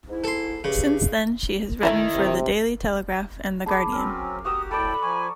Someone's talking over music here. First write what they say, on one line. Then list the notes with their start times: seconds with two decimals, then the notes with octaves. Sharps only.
Since then she has written for "The Daily Telegraph" and "The Guardian".
0.08 G#2 E4
0.24 A4 C6
0.64 E2 C#3 G4
1.83 D#3 E3 G#3 A3 E4
2.15 C3
3.66 G#4 A5 B5 D6
3.92 F#3 C4 C#4 A#4 D6
4.45 F#4 G4 A#5 D#6 E6
4.71 A2 A4 D5 G5 A5 B5
5.03 F3 G#5 A#5 C#6